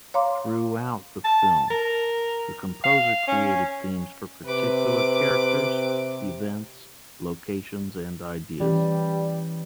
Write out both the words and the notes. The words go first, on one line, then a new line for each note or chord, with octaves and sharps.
Throughout the film, the composer created themes for particular characters, events, locations, and ideas.
C#5 F5 A#5 C6 D6
A5
A#4
F5
C#4
C3 B4 D6
E3 G3 C#4 G4